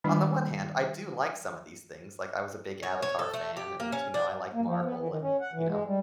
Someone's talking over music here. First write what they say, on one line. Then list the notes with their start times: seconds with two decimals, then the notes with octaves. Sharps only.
on the one hand, I do like some of these things. Like, I was a big Avatar fan and, you know, I like Marvel and, you know,
0.04 D#3 G3 G#3 D4 E4
2.83 C#5
3.02 C#5
3.19 A4
3.34 A3
3.57 G4
3.80 A#3
3.92 C#4
4.14 D4
4.53 A#3
4.65 F3
4.83 B3
4.97 E3
5.09 D#3
5.21 C#4
5.41 F#5
5.53 E3
5.67 G#3
5.85 G3